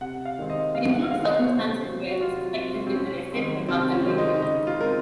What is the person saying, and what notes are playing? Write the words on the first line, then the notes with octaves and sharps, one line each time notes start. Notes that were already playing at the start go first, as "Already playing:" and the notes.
It includes circumstances where a suspect has been arrested, but not convicted.
C3 F#5
F5
D#3 G#3 C4
D#5
C3 F5
F#5
D#3 G#3 C4 F5
C#5
C3 C5
F#3 C4
F#4
C3 F4
F#3 C4
C4
C3 C#4
D#3 G#3 C4
C3 C4
C#4
D#3 G#3 C4
D#4
C#3 D#4
F4
G#3 C4 A#4